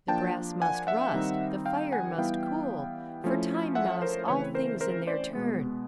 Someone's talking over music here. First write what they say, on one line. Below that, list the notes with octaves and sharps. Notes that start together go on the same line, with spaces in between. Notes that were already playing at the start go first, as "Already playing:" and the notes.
The brass must rust, the fire must cool, for time gnaws all things in their turn.
F3 A#3 D4 G5 A5
F#5 G#5
E5 F#5
D#3 G3 C4 D#4
F5 G5
F#5 G#5
E3 G3 B3 E4 F5 G5
F3 A3 C#4 E4
E5 F#5
A#4 C5
C#3 E3 A3 C4 B4 C#5
A#4 C5
A#4 C5
C5 D5
B2 G#3 B3